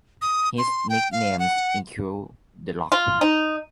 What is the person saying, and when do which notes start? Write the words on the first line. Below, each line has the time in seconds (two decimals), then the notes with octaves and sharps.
His nicknames include "The Rock".
0.21 D#6
0.58 C6
0.89 G5
1.12 F5
1.39 F#5
2.92 F4
3.21 D#4